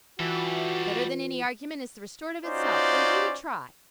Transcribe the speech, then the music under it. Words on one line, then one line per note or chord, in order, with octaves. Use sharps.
Better than any argument is the Restorative itself--for you to try.
E3 G3 F4 F#4 A4
C#4 D#4 F4 F#4 C5 D5